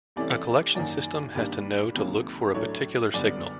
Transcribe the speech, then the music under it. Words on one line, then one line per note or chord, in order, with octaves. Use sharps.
A collection system has to know to look for a particular signal.
C2 C3 E3 A3 C#4 D5
F#2 D#3 F#3 A#3 D5
G2 D#3 G3 A#3 D4
C#2 C3 D#3 F#3 A#3
A2 F#3 A3 D4 C#5
F#2 D3 G3 B3 D5